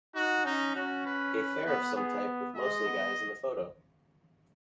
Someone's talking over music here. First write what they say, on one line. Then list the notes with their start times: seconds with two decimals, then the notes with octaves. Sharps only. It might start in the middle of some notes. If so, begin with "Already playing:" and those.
A fair of some type with mostly guys in the photo.
0.15 D#4 F#4
0.45 C#4 D#4
0.75 C#4 F#4
1.05 B4
1.35 B4
1.66 B3 B4
1.96 B3 G#4
2.56 G#3 D#5
2.86 B3